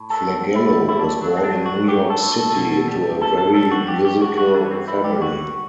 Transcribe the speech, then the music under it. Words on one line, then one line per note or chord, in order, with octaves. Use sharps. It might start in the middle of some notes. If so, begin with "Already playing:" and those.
Flagello was born in New York City, into a very musical family.
Already playing: A2
A4
G3
G3 E4
A2 E4
D4
F#3 D4
C4
D4
A2
F#4
A2 G4
A4
A2
A4
B2
G3
B2 A4
A4
G3 A4
F#4
G2 G4
G4
G2 F#4
F#4
E3 D4
B3
C4
G3 E4
G4
D3 F#4